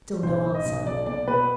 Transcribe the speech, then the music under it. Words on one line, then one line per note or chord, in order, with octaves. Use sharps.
Still no answer.
B1 C5
B1
D#5
B1
B1 D5
B2 D5
B2 B4